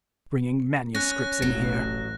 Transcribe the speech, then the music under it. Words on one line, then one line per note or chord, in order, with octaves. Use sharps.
Bringing manuscripts in here!
C#4 F#6 A#6
E1 A1 F#3